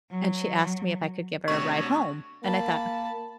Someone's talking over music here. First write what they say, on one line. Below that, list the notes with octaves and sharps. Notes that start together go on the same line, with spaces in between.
and she asked me if I could give her a ride home, and I thought,
F#3
C3 A3 B3 D4 F#4 C#5 C#6
A#3 A5 B5